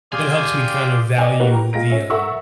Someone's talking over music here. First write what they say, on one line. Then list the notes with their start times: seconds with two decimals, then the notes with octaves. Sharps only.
that helps me kind of value the, uh,
0.12 G4 G#4 D5 F5 G5 G#5 C6
1.18 D5 D#5 G5 G#5
1.40 A#3 D#4 F#4 G4 A#4 B4
1.53 G5 A#5
1.73 A#2 G#3 F4 A#6 D7
1.90 C#4 E5
2.10 A4 A#4 E5 F#5 C#6 E6